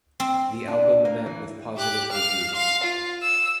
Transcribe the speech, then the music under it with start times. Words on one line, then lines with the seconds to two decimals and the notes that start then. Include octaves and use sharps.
The album met with positive reviews.
0.20 C4
0.68 D4
1.05 A#3
1.26 E3
1.77 G4 F#6
2.11 F5 F6
2.54 F5 C6
2.83 F4
3.23 E6